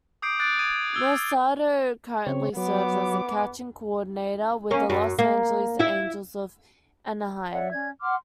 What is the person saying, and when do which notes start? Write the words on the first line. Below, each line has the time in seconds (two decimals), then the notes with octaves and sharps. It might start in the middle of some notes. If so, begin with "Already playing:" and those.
Mercado currently serves as a catching coordinator with the Los Angeles Angels of Anaheim.
0.22 D6 D#6 G6 C7 D7
0.39 D6 F#6 A6 D7
0.59 D#6 G#6 D#7
0.94 E6 G#6
2.26 C#3 C4 C#5
2.57 F#3 B3 D6
4.71 A#3 C#4
4.90 F#2
5.19 A#3
5.79 E4 E5
7.51 C#5 D5 E5 F#5
7.71 C#4 D5 G#6
8.01 F#5 C6 D6 F6